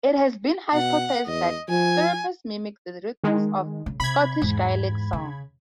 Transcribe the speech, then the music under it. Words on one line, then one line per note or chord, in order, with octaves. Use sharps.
It has been hypothesized that strathspeys mimic the rhythms of Scottish Gaelic song.
B2 F#5
E2 D#5
F3 G#5
D#3 G#3
C#3
C3 B5 G#6
E2 G#2
C#3